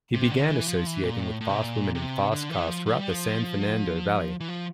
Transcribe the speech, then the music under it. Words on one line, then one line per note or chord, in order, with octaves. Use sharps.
He "began associating with fast women and fast cars throughout the San Fernando Valley".
C3
D3
E3
F3
E3
A#2
A2
A2
C3
A#2
C3
D3
E3
F3
F3
G3
F3
E3
F3